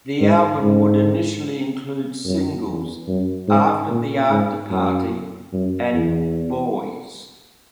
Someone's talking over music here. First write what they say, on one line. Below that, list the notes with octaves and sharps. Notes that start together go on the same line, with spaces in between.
The album would initially include singles "After the Afterparty" and "Boys".
G#2
G#2
F#2
E2
F#2
G#2
A#2
G#2
F#2
F#2
E2